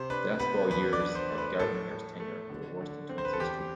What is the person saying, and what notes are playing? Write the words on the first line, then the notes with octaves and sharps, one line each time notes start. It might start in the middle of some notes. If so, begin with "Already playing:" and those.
The last four years of Gardenhire's tenure were the worst in Twins history.
Already playing: C3 C5
D4 B4
B3 B4
E2 B4
D5
D4
C5
A3
B4
A2 A4
A2
A3
D3
D3
C4
C5
B4
A4
E2 G4